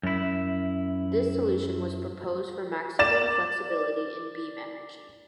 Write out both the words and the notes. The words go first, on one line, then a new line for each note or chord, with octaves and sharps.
This solution was proposed for maximum flexibility in beam energy.
F#2 E4
D5 A6 E7